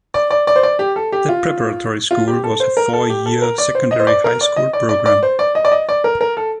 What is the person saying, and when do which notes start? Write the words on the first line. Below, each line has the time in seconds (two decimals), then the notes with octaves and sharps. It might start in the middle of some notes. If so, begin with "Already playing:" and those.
The Preparatory School was a four year secondary high school program.
0.14 D5
0.30 D5
0.47 D5
0.56 C5
0.63 D5
0.79 G4
0.96 A4
1.12 G4
1.29 F4
2.11 F4
2.28 G4
2.44 A4
2.60 C5
2.77 A#4
2.93 A4
3.10 G4
3.26 A4
3.42 A#4
3.58 D5
3.75 C5
3.91 D#5
4.00 C5
4.07 D5
4.24 A#4
4.41 D5
4.56 D#5
4.73 D5
4.89 D5
5.06 D5
5.23 C5
5.39 D5
5.55 D#5
5.65 D5
5.72 D#5
5.89 D5
6.04 A#4
6.21 A#4
6.37 A4